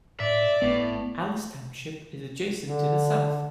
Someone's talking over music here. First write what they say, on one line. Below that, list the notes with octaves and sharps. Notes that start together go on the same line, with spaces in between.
Allis Township is adjacent to the south.
A2 D5 E5
G1 A2 B3
D3